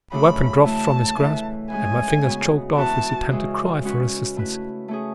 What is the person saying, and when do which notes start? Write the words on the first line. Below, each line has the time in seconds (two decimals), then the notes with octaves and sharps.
The weapon dropped from his grasp, and my fingers choked off his attempted cry for assistance.
0.12 C#3 F#3 A3 D4 A4 B5
0.65 E3 A3 E4 A4 A5
1.16 E3 A3 E4 B4
1.70 E3 G#3 C#4 G#4 B4 G#5
2.24 C#3 G#3 B3 F#4
2.76 E3 B3 F#4 B4 A5
3.30 C#3 E3 G#3 C#4
3.84 G#3 C#4 F#4 B4
4.36 A3 E4 B4
4.88 A3 C#4 G#4